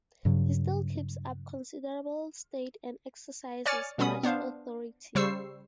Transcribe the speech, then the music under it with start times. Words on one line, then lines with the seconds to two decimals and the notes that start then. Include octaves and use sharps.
He still keeps up considerable state and exercises much authority.
0.25 G2 C#3 F#3
3.66 C#5 D5 G#5 F6 A6 C#7
3.98 B2 G3 B3 C#4 B5 D#6
4.23 B3 D4 C5 F5
5.15 C#3 G3 C5 C#6 E6 C7